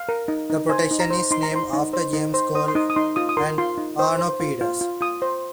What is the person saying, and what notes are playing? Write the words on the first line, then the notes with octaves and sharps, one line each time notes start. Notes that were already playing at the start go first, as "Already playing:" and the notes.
The projection is named after James Gall and Arno Peters.
Already playing: F5
A#4
D#4
D#4
C5 G#5
D#4
A#5
C5
D#4 C6
A#5
C5 C6
D#4
C5
D#4
C5
C5 D#6
C6
D#4 D#6
D#6
D#4 C6
F4 D#6
D#6
A#4 C6
F4 C6
D#4
C5
C5
F4
F4
F4
F4 D#6
C5